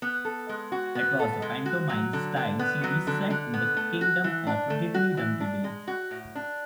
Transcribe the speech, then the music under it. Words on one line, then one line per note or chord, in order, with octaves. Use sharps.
It was a pantomime-style series set in the kingdom of Diddley-Dum-Diddley.
B3
A4
G#3
F#4
B3
A4
G#3
F#4
F#3
D3
D3
B3
F#3
D3
D3
B3
A3
F#4
E3
D4
A3
F#4
E3
D4
G#3
F#4
A2
D4